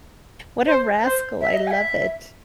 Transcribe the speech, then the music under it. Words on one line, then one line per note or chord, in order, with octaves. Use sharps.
What a rascal. I love it.
C5
C5
E5
D#5
G#5
E5